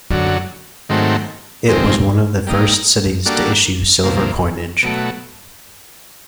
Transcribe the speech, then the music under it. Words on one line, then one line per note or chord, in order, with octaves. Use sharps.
It was one of the first cities to issue silver coinage.
F#2 D3 F#3
G#2 D#3 F#3 A3 C4
F2 C3 D#3 G#3 C4
G3 A#3 D#4
G3 A#3 D4 F#4 A4
D2 C3 F3 A#3
B2 F#3 A3